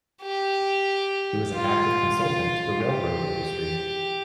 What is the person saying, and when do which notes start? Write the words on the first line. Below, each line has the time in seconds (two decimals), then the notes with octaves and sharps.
He was an active consultant to the railroad industry.
0.22 G4
1.53 F4
2.19 F4
2.84 G4